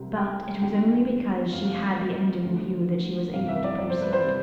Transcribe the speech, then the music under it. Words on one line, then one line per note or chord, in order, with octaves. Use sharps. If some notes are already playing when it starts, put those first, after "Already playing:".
But it was only because she had the end in view that she was able to proceed.
Already playing: C2 C3 G3
G5
E2 D3 G3 G5
F1 F2 C3 F5
D2 D3 F3
G1 F2 C3 F5
E5
D5
D5
C5
B4
C5
C3 G3